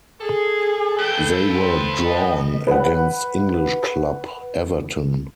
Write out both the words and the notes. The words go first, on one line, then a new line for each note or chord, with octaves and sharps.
They were drawn against English club Everton.
G#4 A4
B4 G5 G6
C5
D#5
B4 F#5